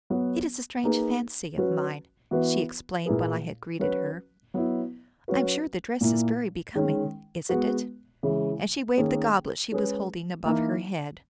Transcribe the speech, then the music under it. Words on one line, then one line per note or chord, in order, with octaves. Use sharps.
"It is a strange fancy of mine," she explained, when I had greeted her. "I'm sure the dress is very becoming--isn't it?" And she waved the goblet she was holding above her head.
F#3 B3 F#4
A#3 D#4 G#4 B4
F#3 C#4 F#4 B4
E3 B3 F#4 B4
A#2 A#3 E4 G#4 B4
F#3 C#4 F#4 B4
F#3 B3 E4
F#3 C#4 F#4 B4
A#2 A#3 E4
D#3 G#3 C#4
G#3 B3 F#4 B4
C#3 E3 G#3
D#3 A#3 C#4 G#4
G#3 C#4 G#4 B4
E3 A#3 D#4